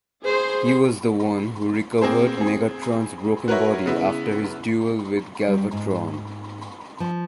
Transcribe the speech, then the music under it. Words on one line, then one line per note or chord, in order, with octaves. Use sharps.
He was the one who recovered Megatron's broken body after his duel with Galvatron.
G#4 C5
A#3 C4 G#4 C5
C4 G#4
F#4 A#4 B4 C#5 E5
C#3 B3 E4
G3
G#2
F3